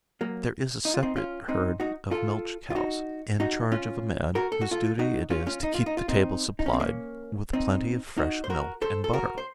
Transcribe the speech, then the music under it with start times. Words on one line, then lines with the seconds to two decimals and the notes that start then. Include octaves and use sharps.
There is a separate herd of milch cows in charge of a man whose duty it is to keep the table supplied with plenty of fresh milk and butter.
0.21 F#3 A#3
0.85 D#4
0.94 F4
1.03 C4 D#4
1.16 C#4 F4
1.49 C4 D#4
1.80 D#4 F#4
2.11 F4 A4
2.70 F4
2.75 D#4 F#4
3.40 D#4 F#4
3.72 C#4 F4
4.35 F#4 A#4
4.52 A4
4.61 F#4
4.71 F4 A4
4.99 D#4 F#4
5.30 C#4 F4
5.47 C#4 F4
5.63 D#4
5.74 F4
5.86 D#4
5.97 F4
6.08 C4 D#4
6.59 D#4
6.66 C#4
6.73 C4
6.80 A#3 C#4
7.53 C4 D#4
8.18 D#4 F#4
8.44 C5
8.50 F#4 A#4
8.82 A4 C5
9.04 A4
9.13 F#4 A#4
9.38 C5